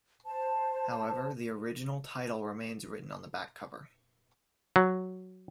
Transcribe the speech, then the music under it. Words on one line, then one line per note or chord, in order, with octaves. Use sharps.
However, the original title remains written on the back cover.
C5 A5
F#3